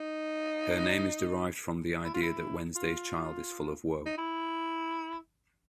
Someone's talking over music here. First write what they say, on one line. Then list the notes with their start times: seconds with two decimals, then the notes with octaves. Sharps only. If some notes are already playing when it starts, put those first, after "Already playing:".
Her name is derived from the idea that Wednesday's child is full of woe.
Already playing: D#4
2.04 E4
2.14 F4
2.22 E4
2.75 F4
4.06 D#4
4.18 E4